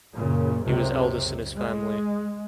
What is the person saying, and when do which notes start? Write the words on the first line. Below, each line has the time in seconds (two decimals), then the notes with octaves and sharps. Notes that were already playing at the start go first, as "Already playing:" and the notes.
He was eldest in his family.
0.15 F#2 A#2 C#3
0.65 C#2 F#2 C3
1.57 G#3